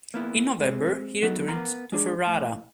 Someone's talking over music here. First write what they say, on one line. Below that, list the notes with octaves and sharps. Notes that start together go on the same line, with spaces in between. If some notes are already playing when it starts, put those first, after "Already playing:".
In November he returned to Ferrara.
A#3 B3 E4
G#3 C4
F#3 B3 D#4 E4
B3 A#4 F5 A#5 C6
G#3 D4 G#4
A2